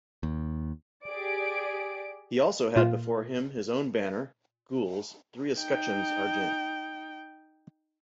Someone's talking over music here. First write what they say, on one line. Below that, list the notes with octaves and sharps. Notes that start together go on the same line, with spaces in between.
He also had before him his own banner, gules, three escutcheons argent.
D#2
G4 G#4 D5 D7
A#2 F4
D#4 G5